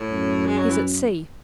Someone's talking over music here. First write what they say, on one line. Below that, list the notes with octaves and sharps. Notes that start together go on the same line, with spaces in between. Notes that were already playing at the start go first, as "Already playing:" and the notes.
He's at sea.
Already playing: A2
F#2
G#3
F#3
E3